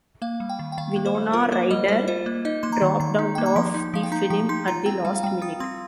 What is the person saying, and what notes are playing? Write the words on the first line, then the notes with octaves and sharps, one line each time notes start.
Winona Ryder dropped out of the film at the last minute.
A#3 F5
G3
G5
D#3
G5
D#3 F5
A#3
C5
G3
F4 A#4
A#3 C5
G3 D#5
G3 C5
F4 C5
A#3
D#4 D#5
A#3 C6
A#5
D#3
D#3 A#5
D#4
A#3 G5
A#5
F3 C6
D#4
F3 F5
G5
D#4 A#5
F3 G5
D#4 C6
F4 A#5
C4 G5
G3 F5
F5
G3 G5
F4 D#6
C4 C6